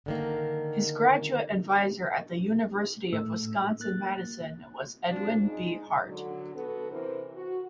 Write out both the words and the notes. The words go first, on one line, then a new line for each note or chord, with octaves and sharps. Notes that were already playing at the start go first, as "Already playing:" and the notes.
His graduate advisor at the University of Wisconsin-Madison, was Edwin B. Hart.
D3 D#3 A#3
A2 A3 E6
A#3 F#6 A6
F3 C4 D4 F#4
G#3 D#4
D3 F#3
D3 B3 F#4 A4
C3 E3 A#4 C5
F#4